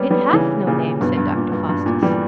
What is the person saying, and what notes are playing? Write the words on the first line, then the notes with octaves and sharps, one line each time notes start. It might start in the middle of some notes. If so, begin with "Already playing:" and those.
"It hath no name," said Dr. Faustus.
Already playing: G3 A#3 B3 C#4
G3 B3
C#3 E3
A#2 C#3
G2 B2
G2
A#2
G2
G2
A#2
E3 G3